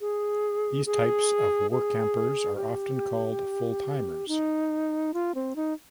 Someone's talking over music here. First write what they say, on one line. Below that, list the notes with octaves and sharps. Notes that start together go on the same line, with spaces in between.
These types of Workampers are often called Fulltimers.
G#4
G#4
G#4
G4
D#4
F4
C4
D#4